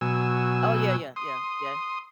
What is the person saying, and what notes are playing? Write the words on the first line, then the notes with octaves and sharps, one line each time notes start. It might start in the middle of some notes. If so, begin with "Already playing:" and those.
Oh, yeah, yeah, yeah, yeah.
B2 F#3 G#5 E6
C6 D#6